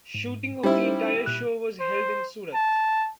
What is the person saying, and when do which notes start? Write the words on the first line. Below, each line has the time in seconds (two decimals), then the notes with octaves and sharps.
Shooting of the entire show was held in Surat.
0.14 G#2
0.63 G3 C#4 D#4 E4 C5
1.26 A#2 F#6
1.80 C5
2.54 A5